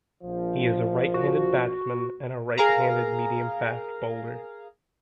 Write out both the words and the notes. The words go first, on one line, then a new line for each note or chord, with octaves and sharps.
He is a right-handed batsman and a right-handed medium-fast bowler.
A#1 F3
F#4
G#4 A#4 F5 A#5